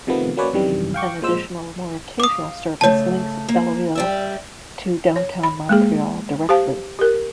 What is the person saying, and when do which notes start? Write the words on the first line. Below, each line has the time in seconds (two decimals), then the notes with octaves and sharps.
An additional, more occasional service links Beloeil to downtown Montreal directly.
0.07 C3 D#3 F3 A3 B3
0.37 F#3 A#3 C#4 B4 C#5 D5
0.53 F#2 C3 D#3 E3 G3
0.94 F5 G5 C#6 D6
1.21 A#2 F3 G#3 C5 E6
2.20 F5 D6 D#6
2.81 C#3 A3 C#5 A5
3.48 A#3
3.95 G3 D5 E5
5.16 C#5
5.43 B5
5.69 G#3 A#3 G#4
6.49 G4 C5 F5 A5
6.99 G4 A#4